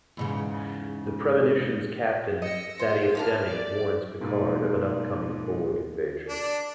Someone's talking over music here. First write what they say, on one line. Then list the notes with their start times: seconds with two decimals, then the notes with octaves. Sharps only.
The "Premonition"s captain, Thaddeus Demming, warns Picard of an upcoming Borg invasion.
0.17 E2 G#2 C#3
2.42 D#5 E6 A#6 C#7
2.79 F4 C5
3.15 E3 A#3 D4 F6
3.46 D5
4.21 G#2 B2 A#3
6.29 D4